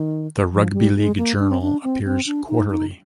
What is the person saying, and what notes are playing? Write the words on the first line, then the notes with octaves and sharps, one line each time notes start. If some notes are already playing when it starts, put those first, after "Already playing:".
The Rugby League Journal appears quarterly.
Already playing: D#3
F3
G3
G#3
A#3
D4
C4
D4
C4
C4
D4
D#4
D#4